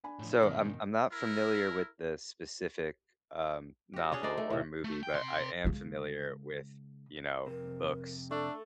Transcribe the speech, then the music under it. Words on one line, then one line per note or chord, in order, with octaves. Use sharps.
So I'm I'm not familiar with the specific, um, novel or movie, but I am familiar with, you know, books
D4 G#5 B5
A2 F3
E4 A#4
G2 B2 D#3
E4 A#4
F#4 G4
C#4 D4 G#4 C#5
D#4 C5 D5
A3
A2 C3
A3
G5
C3 C6
C#3 G#3
F2 C3 A#4
A3 D4 A4